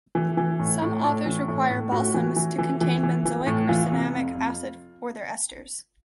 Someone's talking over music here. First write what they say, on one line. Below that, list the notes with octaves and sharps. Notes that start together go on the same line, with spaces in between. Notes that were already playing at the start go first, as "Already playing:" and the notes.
Some authors require balsams to contain benzoic or cinnamic acid or their esters.
E3
E3
A2
A2
A2
E3
A2
A2
A2 F#4
E3
E3
E3
E3
E3
E3
A2
E3 F4
C3
F2
F2